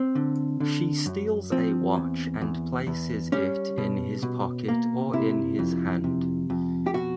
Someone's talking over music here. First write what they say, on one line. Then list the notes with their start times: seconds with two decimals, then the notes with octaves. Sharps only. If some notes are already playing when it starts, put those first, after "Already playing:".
She steals a watch and places it in his pocket or in his hand.
Already playing: C4
0.15 D3
0.60 D3
1.06 F#2
1.52 F3 C4
1.96 E2
2.41 E2
2.87 E2
3.32 G3 C#4
3.78 B2
4.22 B2
4.68 A#3
5.13 C3 E4
5.59 F2
6.04 C3
6.50 F2
6.86 G4
6.94 B2 F#4